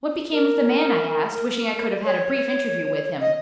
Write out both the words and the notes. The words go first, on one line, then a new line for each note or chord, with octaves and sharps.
"What became of the man?" I asked, wishing I could have had a brief interview with him.
A#4
C#5
D#5